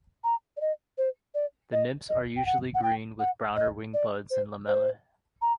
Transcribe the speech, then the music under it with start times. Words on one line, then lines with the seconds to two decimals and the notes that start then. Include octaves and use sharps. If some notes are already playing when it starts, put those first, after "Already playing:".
The nymphs are usually green with browner wing buds and lamellae.
0.24 A#5
0.57 D5
0.61 D#5
0.98 C5
1.34 D5
1.72 D#5
2.09 D#5
2.36 G5
2.46 F#5
2.74 F#5
2.83 G5
3.19 F#5
3.56 D#5
3.94 D5
4.30 C5
4.67 C5
5.42 A#5